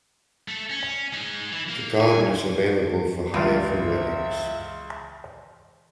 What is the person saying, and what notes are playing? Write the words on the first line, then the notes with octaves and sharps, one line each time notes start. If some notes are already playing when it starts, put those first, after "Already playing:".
The garden is available for hire for weddings.
A3 A4
C#4
G#3 D#4
E3
A#3
G#5
C#2 E3 F4 E5